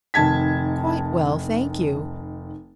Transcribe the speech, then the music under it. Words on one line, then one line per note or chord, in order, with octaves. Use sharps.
"Quite well, thank you."
F1 D#3 A5 G#6 B6